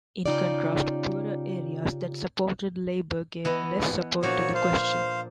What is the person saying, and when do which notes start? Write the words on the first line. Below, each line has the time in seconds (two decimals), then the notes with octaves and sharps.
In contrast, poorer areas that supported Labour gave less support to the question.
0.26 C#3 D#4 F4 G4 D5
3.45 E3 B3 D#5
4.23 A#2 F3 D4 F#4 C#5
4.54 C5 F5